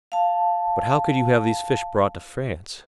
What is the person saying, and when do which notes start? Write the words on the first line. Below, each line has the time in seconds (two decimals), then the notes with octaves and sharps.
"But how could you have these fish brought to France?"
0.12 F5 A5